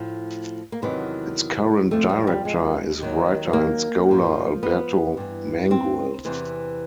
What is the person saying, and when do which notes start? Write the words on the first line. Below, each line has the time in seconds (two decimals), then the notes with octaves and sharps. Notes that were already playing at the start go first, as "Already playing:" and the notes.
Its current director is writer and scholar Alberto Manguel.
Already playing: A2 F3
0.72 A#3
0.82 E2 C3 D#3 F#3 B3
1.91 F2 C3 F3 A3
2.09 G3
2.27 G3
2.45 G#3
3.00 D#2 D#3 F#3
3.53 A#3
4.09 G#2 F3
4.63 B3
5.17 G2 E3
5.71 C4
6.25 E2 C3 E3